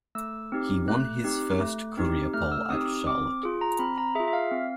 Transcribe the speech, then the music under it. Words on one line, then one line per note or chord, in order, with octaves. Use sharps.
He won his first career pole at Charlotte.
A3 E6
C4 D#4 G4
A3 F#6
C4 D#4 G4
A3
C4 D#4 G4
A3 F6
E6
C4 D#4 G4 D#6
C4 D6
F4 G#4
A#5
C4 B5
A#5
F4 G#4 E5
E5
F5
C4